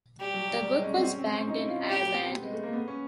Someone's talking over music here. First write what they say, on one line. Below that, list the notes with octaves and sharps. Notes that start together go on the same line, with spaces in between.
The book was banned in Ireland.
G3 G4
F#3
G3
G3
G#3
C#4
C4
C#4
C4
C#4
D#4
E4
F4
D#4
G4
A3
B3
C4
B3
G#3
A3
A#3
B3
C#4